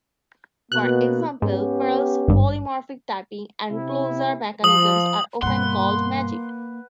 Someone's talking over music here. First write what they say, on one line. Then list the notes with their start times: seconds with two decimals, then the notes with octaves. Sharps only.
For example, Perl's polymorphic typing and closure mechanisms are often called "magic".
0.72 B2 A#3 F#6
1.42 G#2 B3 C#4 G4
2.28 G#1 G2
3.71 C3 E4
4.64 F3 D#6 F#7
5.43 G2 B2 A#3 B4 F#5 C6